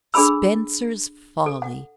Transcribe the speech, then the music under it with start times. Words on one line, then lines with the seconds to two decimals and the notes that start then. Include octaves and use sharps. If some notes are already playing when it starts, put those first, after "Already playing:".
Spencer's Folly!
0.14 D4 G#4 A4 B5 E6
1.46 A4
1.62 F#5